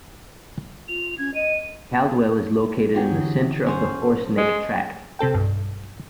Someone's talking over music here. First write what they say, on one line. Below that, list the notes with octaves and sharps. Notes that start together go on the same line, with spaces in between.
Caldwell is located in the center of the Horse Neck Tract.
F4 F7
C#4 G#6
D#5 D#7
F#3 B3 F4 G4 G#4
D3 E3
C#4 C5 F#5
A4
G#3
C3 C4 A4 G5
B1 G2